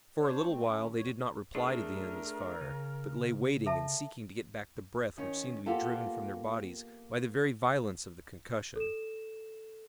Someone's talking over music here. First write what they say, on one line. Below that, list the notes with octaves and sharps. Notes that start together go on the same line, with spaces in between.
For a little while they did not reply to the enemy's fire, but lay waiting and seeking to get back the breath which seemed to be driven from their bodies by the very violence of the concussion.
D4 C5 C#5
A3 C4
D#2 A3 C#4
E2 C#5
A3 D4 G#4 A#4
C#3
A4 E5 A5
D#3 C#4
A#3 B3 F4 G4 A4
A4 E7